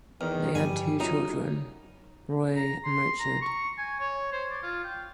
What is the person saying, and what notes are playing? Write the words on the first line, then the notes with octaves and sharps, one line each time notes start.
They had two children, Roy and Richard.
E2 D#3 F6
G2 D3 F3 G3 G#5
F#2 D#4 F4
A#5
C6
A#5
C#6
G#5
C#5
C5
D5
F4
G5